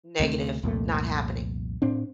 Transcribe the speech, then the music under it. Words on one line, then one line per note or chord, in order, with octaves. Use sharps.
negative, not happening,
D2 C3 A3
C2 F2 A#2 A3
A2 C4 D4